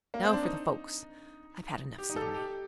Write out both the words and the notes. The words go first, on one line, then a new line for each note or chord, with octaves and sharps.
"Now for the folks--I've had enough scenery."
A#3
C4
D4
D#4
G4
D#4
A4
G4
G4